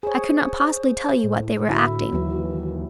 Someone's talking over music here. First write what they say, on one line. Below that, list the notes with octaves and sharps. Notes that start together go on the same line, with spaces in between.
I could not possibly tell you what they were acting.
G#4 C5 C#5
A2
D3 E4 F#4
D#2 E3 F#3